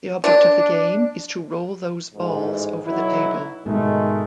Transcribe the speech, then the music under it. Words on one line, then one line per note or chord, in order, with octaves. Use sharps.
The object of the game is to roll those balls over the table.
D4
A1 G#2
B1 F#3 E4
G#2 B2 D#3 G#3 A3